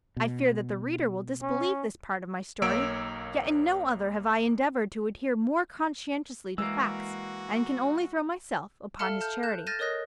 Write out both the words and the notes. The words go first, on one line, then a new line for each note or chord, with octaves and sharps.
I fear that the reader will disbelieve this part of my story, yet in no other have I endeavoured to adhere more conscientiously to facts, and can only throw myself upon his charity.
B2
C#4
B1 A#3 C#5 E6 D7
E3 G#3 A#3 F#4 E6
A4 E5 F5 A5 F6 C#7
A5 F6 G6
F#6 G6 E7
F6 G6 A6 A#6 D#7 E7
A#4 C#5 D#5 D#6 F#6 A#6